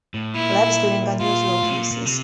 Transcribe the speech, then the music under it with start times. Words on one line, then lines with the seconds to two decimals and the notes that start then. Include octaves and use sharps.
Labs during unusual cases.
0.14 A2
0.35 A#2 E4
1.20 A#2 F4
1.63 A2
1.70 C3
1.77 A#2
1.91 A#2
2.05 C3